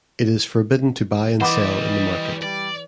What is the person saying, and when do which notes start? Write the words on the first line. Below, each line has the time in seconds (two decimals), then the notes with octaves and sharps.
It is forbidden to buy and sell in the market.
1.41 E3 G3 C5 D#5 F#5 B5 D6
2.43 G3 D5